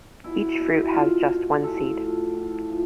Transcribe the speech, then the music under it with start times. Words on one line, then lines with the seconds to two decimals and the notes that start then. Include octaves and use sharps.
Each fruit has just one seed.
0.24 B2 E4
0.59 B2
0.82 E4
0.94 B2 F4
1.29 B2
1.64 A2 A4
2.00 F3
2.35 A2
2.70 F3